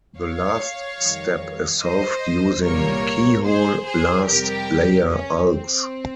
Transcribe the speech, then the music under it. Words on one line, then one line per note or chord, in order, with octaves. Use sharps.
The last step is solved using Keyhole last layer algs.
C#5 F5
F2 D#3 G3
C5 D#5
C2 A#2 G3 A#3 A#4 C#5
G#4 C5
G#4 C5
F2 C3 G3 G4 A#4
C#4
C4